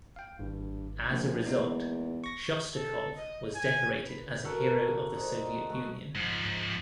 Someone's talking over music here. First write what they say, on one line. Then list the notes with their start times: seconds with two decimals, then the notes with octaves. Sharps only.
As a result, Shostakov was decorated as a hero of the Soviet Union.
0.16 F5 G5
0.39 G#1 G2
1.09 A#1
1.45 E2 G#3 A#3 D#4
2.24 C#6 A#6
2.75 A4
3.16 D#5
3.55 G#5
4.06 B4
4.44 F#4 A4 A#4
5.13 D#4 C5 D5
5.70 A3 F#4
6.15 G#2 F3